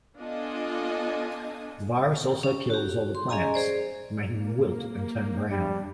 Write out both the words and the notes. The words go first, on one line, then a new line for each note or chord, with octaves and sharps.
The virus also kills all the plants, making them wilt and turn brown.
B3 D4 F4 A4 D#5 G#5
C#4
F#4 G4
C6
C#4 G#4 D#5 G#5 A#5
G#4 C5 D5
A#3
G3 D4